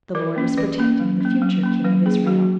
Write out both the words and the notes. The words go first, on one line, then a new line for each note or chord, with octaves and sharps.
The Lord was protecting the future king of Israel.
E3 A#4
A#3 C#4
E3 B4
A#3 C#4
F#3
A#3 C#4
F#3
A#3 C#4
F#3 B4
A#3 C#4 G#4
F#3 F#4